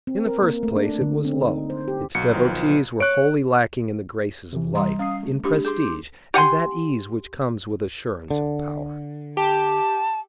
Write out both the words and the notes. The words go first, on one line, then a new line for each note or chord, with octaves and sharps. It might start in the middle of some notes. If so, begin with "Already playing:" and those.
In the first place it was low; its devotees were wholly lacking in the graces of life, in prestige, and that ease which comes with assurance of power.
C4
A#4
A#3
A3
D4
D3
C4
D#4
C5
G4
B1 F#4 C#7
D#3 F3 B3
C#5 F#6 D7
C3 E3
G3 A#5 C6
C#4 F5 D#6 C7
A3
D4 G4
G#4 C6 D6 G6
G4 F#5 G#5 C6
D3
G4 A5